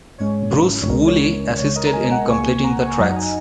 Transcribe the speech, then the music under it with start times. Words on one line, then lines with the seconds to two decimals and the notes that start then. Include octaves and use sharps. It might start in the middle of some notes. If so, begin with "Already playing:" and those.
Bruce Woolley assisted in completing the tracks.
0.18 G#2 G#3 C#4 C#5
0.82 C#5
0.89 C#2 C#3 G#3 C#4 A#4
1.07 C#5
1.24 C#5
1.58 C#2 C#3 G#3 C#5
1.76 A#4 D#5
1.86 A#5
1.93 D#5 G#5
2.10 F#5 A#5
2.28 C#2 C#3 A#3 G#5 C#6
2.45 G#5 C#6
2.64 F#5 A#5
2.81 G#5 C#6
2.98 F#2 F#3 D#4 F#5 A#5
3.11 A#5
3.16 D#5 G#5